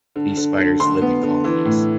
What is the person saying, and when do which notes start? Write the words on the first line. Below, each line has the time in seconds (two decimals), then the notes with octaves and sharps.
These spiders live in colonies.
0.16 D3
0.37 D3
0.59 D3
0.79 D3 C6
1.02 B3
1.23 D3
1.44 E3
1.65 A2